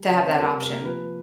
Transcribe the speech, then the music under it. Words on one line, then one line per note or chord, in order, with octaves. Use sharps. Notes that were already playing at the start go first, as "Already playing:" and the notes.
to have that option.
Already playing: G3
C#3 C#5
C5
C4
G3 A#4
C3
A#4
A#3
F3 B4